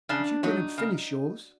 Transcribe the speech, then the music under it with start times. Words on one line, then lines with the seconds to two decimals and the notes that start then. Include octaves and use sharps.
But you didn't finish yours.
0.09 C#3 D4
0.43 F#3 D#4
0.78 C#3